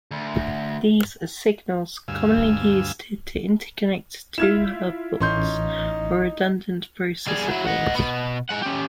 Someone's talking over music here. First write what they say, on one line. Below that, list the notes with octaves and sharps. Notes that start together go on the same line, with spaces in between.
These are signals commonly used to interconnect two hub boards, or redundant processor boards.
D2
D2 G2 F5 G#5 E6
E4 F4 E5 F6 G#6 E7
A1 C#4 D#4 C6 G6
G3 G#4
F#3 E4
D#5 F#5
B2 B3
G#3 F#5
C#4 G4